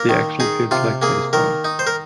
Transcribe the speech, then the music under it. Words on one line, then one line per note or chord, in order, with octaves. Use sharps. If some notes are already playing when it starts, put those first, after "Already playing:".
The action feels like baseball.
Already playing: A#3 A#4
D#3
D#4 G#4
C3 F4
A#3 G#4
D#3 A#4
D#4
C5
A#4